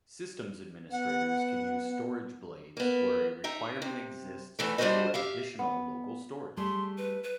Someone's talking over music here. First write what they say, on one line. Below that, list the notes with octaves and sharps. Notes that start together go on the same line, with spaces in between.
Systems administrators can use storage blades where a requirement exists for additional local storage.
B3 F#5
A#3 B3
D#4 E5 G5
C3
E2 E3 A3
G3 D4 F4 F#4 C5 D#5
G4 E5 F5
B3
G3 A3 G#4 C6
B4
B4